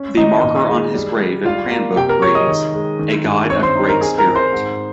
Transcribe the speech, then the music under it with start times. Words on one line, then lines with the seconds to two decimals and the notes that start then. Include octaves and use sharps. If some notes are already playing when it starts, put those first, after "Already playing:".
The marker on his grave in Cranbrook reads "A guide of great spirit".
Already playing: C#4
0.17 D#3 D#4 D#5
0.43 A#2
0.69 G#3
0.94 G3
1.20 G3
1.45 G3 F4 F5
1.71 A#3
1.96 C3 G4 G5
2.09 A#4 A#5
2.22 G#3 C#5 C#6
2.35 D#5 D#6
2.48 D#3
2.74 G#3
2.99 D#3
3.24 G2
3.50 C4 C#5 C#6
3.63 C5 C6
3.76 D#4
3.89 A#4 A#5
4.01 C4 G#4 G#5
4.18 A#4 A#5
4.27 C4
4.35 C5 C6
4.53 G#2